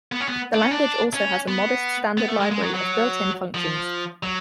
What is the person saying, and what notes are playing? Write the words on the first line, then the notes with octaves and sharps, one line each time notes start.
The language also has a modest standard library of built-in functions.
B3
C#4
B3
D4
C#4
D4
C#4
B3
B3
A3
G#3
G#3
F#3
F#3
F3
F#3